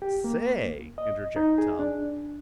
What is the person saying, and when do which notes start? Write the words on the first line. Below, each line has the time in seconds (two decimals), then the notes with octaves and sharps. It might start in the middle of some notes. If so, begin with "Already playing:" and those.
"Say," interjected Tom.
0.02 G4
0.24 A#3
0.98 D#5
1.36 D#4
1.58 G#4
1.79 D4